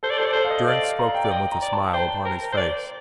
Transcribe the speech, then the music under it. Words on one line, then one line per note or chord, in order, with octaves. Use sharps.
Durrance spoke them with a smile upon his face.
A4 C5
D5
A4 C5
D5
A4 C5
F5
D#5
D5 D#5
F5
A#5
G5
D5
D#5 G5
A#5
D5
A5
C5 G5
A#4
C5
D5